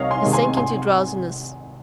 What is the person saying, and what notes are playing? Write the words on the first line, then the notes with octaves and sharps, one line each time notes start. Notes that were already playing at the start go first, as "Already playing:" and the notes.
He sank into drowsiness.
Already playing: C2 C3 D#3 C#5 D#5 F5
G#5 C6
C3 D#3 G#3
G#5 C6
G#1 G#5 C6